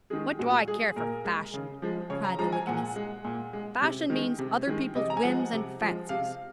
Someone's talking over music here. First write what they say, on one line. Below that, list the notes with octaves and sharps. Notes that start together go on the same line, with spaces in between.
What do I care for fashion?' cried the Wykehamist. 'Fashion means other people's whims and fancies.
D#3 G#3 G#4
A#2 F#4
G#3 G#4
A#2 A#4
G#3
C#3
F3 G#3
C#3 C#5
A#5
F3 G#3 A#5
G#5
A#2 F#5
G#3
A#2
G#3
C3
D#3 G#3
C3
D#3 G#3
C3 D#5
A#5
G#5
F3 G#3 F#5
C3
F3 G#3
C3 F5